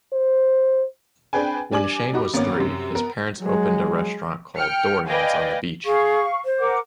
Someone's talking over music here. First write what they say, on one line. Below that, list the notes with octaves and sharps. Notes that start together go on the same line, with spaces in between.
When Shane was three, his parents opened a restaurant called "Dorian's" on the beach.
C5
C4 D4 G#4 B4 G5 G#5
G3 D4 G#5 D6 F#7
G3 D#4 F#4 B5 D6
G#1 A#3 B3 C#4 D6
F#2 C3
B3 A#4
F#3 G#3
G5 F6 C#7
B4 D5 D#5 F5 G5 G#5
G#4 F5 C#6
C5
A#4 F#5 D6